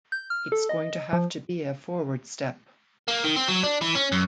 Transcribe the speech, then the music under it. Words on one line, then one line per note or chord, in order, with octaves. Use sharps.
It's going to have to be a forward step.
G6
F6
A4
D#5
F3
A#3
D#3
C4
F#3
D4
E3
C#4
F#2